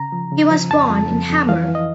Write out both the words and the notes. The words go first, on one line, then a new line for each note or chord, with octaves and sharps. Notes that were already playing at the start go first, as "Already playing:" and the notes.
He was born in Hamar.
Already playing: C#3 A#5
F3
C#3
F3
F2 A5
F2
F2
F2
E3 F5
E3
D#5